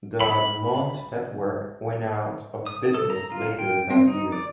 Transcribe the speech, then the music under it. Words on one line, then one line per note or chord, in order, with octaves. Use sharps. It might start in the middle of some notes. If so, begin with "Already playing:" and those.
The DuMont network went out of business later that year.
B5
D#6
A4
A#5
F4
G5
C4
D#4
D5